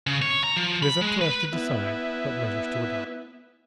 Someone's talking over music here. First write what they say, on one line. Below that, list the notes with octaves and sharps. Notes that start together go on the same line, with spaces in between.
"It is up to us to decide what measures to adopt."
C#3
C#5
A#5
F3
B5
G#3
B4
B3 E4